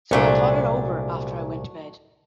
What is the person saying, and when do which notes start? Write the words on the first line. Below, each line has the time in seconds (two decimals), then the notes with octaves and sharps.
So I thought it over after I went to bed.
0.11 C2 A#2 F#3 A3 D4